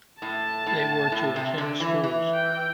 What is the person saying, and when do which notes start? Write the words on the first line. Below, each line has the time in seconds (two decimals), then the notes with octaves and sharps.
They were to attend schools.
0.21 A2 A5
0.66 A2
1.12 A2
1.36 C3
1.58 D3
1.80 E3
2.04 E3
2.34 G5